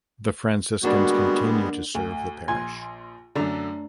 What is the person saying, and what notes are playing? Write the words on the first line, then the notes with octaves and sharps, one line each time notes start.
The Franciscans continue to serve the parish.
D3 G3 G#3 A#3 B3 D4 F#4
D2
A#1 G#5 C6
F#2 D3 A3 D4 A#5